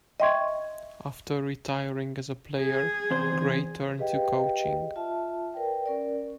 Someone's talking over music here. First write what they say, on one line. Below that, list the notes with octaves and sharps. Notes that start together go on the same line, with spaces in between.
After retiring as a player, Gray turned to coaching.
D#5 E5 G5 C6 C#6 G#6
G#4
E2 C3 C5
G4 G#4 B4 D#5 F5 G5
F4 E5 A5
A#4 B4 D5 G5
C#4 A#4 D5